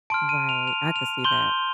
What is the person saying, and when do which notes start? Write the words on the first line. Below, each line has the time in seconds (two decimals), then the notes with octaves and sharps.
Right. I could see that.
0.10 A5 C6 F6 D7
0.29 D#7
0.49 F7
0.67 F7
0.96 F7
1.24 C6 G6 G7